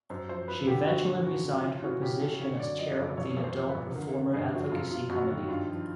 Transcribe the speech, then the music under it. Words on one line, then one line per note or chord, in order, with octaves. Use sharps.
She eventually resigned her position as chair of the Adult Performer Advocacy Committee.
F#2 C5
F3 C5
F3 B4
D3 G4
F3 F#4
A#2
F3 F#4
F3
C#3 F4
E3 F#4
C#3 G4
E3 A4
D3 C#5
F#2 D5
F3 D#5
F#2
E2 C#5
E2
C5
F3
B4
E2
D3 A#4
D3
G2 G#4
F3 F#4
F#2 F4
F#2 F4
F#2 F#4
D#3 F#4
G2 F4
F3